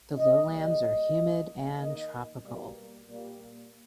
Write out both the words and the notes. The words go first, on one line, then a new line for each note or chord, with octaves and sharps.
The lowlands are humid and tropical.
D#5
C#3 G3 A#3 D#5
D#3 A#3
D#3 A#3 D#5
B2 G3 A#3
A#2 G3 A#3